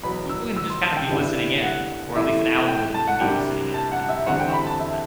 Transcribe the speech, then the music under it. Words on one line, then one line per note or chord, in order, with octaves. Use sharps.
people can just kinda be listening in, or at least an algorithm can be listening in, and follow up on that.
E2 B2 F#3 B3 B5
E6
E6
C6
A5
G5
G2 D3 G3 B3 E4
F#5
C3 E3 A3 E4 E5
G5
A5
F#5
C2 C3 G3 D4 G5
A5
F#5
E5
E2 D3 G3 C4 F#5
G5
B5
A5
E5